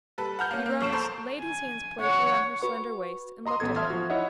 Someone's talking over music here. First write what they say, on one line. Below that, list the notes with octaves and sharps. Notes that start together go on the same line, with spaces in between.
He rose, laid his hands playfully on her slender waist, and looked at her.
G3 A4 B4
F#5 A5 A#5 F6 G6
A#3 C#4
A#3
B1 F2 C#6 D7 E7
A4 C5 A#5 C6 C#6 G6
G#5
C#5 F#5
F#4 B4 C#6
D#5 A#5 C6 D#6
A1 B3 A4 G#6
E5 A5 C6 F6 G#6
F3 F#4
D#4 E4 C#5 D#5 E5 F#5